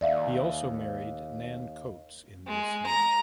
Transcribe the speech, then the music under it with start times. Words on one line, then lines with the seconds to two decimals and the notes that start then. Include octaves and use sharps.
He also married Nan Coats in this year.
0.01 D#2 D5 E5 F5
2.47 G#3
2.86 A#5